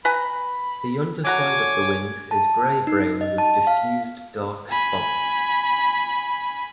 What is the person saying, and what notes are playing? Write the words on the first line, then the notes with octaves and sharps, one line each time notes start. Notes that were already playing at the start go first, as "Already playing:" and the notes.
The underside of the wings is grey brown with diffused dark spots.
B4 G#5 A#5 B5
D3 F#4 C#5 G#5 A#5 D6
A5
D#4
D#5
A5
F5
G#5 B5